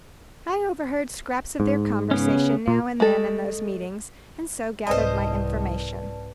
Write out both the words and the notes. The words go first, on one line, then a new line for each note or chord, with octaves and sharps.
"I overheard scraps of their conversation now and then in those meetings, and so gathered my information."
G#2
C#3 B3 C#4
A#2
G#3 A3 A4
C2 G#2 C4 B4 C5 D5 D#5 A5